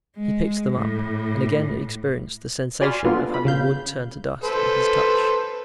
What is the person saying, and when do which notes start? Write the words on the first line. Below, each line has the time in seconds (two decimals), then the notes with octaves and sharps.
He picked them up, and again experienced the sensation of having wood turn to dust at his touch.
0.17 G#3
0.73 A2
2.81 F#4 D5 G#5 B5 C6 F6
3.04 B3 D4 F4 F#4 A4 B4
3.34 B5
3.45 C#3 F5 G6
4.44 A4 B4 C5